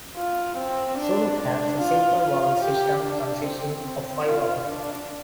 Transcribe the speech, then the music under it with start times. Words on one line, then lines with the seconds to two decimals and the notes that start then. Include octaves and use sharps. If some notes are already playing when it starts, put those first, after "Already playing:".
Zulu has a simple vowel system consisting of five vowels.
0.17 F4
0.57 C4
0.98 D4
1.40 D4
1.81 F4
2.22 F4
2.63 G4
3.05 D4
3.45 C4
3.87 C4
4.28 F4
4.69 D4